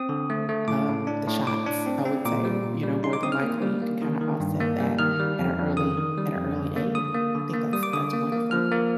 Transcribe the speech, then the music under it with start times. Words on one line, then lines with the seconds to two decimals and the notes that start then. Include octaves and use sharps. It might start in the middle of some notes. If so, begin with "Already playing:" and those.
um, the shots, I would say. You know, more than likely, you can kinda offset that at a early at a early age. I think that's that's wonderful.
Already playing: C4 D#6
0.09 D3
0.30 A3
0.49 A3
0.68 A2 D6
0.88 A2
1.07 D4
1.27 A2
1.47 A2 D6
1.66 D4
1.86 C4
2.05 C4
2.25 A#2 D6
2.45 G3
2.64 A#2
2.83 G3
3.03 D#4 C6
3.13 D6
3.23 C4 D#6
3.32 F6
3.42 A#3
3.62 G3
3.82 A#3
4.02 D#3
4.21 D#3
4.40 G2
4.60 A#3
4.80 G3
4.99 D#3 F6
5.19 G3
5.39 F2
5.58 F2
5.77 D#3 D#6
5.97 D#3
6.17 G3
6.37 F2
6.56 D3
6.76 A#3
6.95 D3 D#6
7.14 A#3
7.35 D3
7.54 A#3
7.73 G3 D#6
7.83 D6
7.93 D3 D#6
8.13 A#3
8.32 A#3
8.51 F3 F6
8.72 A#3